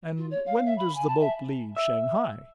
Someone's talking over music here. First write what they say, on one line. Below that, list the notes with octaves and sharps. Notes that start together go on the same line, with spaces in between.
"And when does the boat leave Shanghai?"
F4
C#5
F5
E5
B5
G#5
A5
E5
E5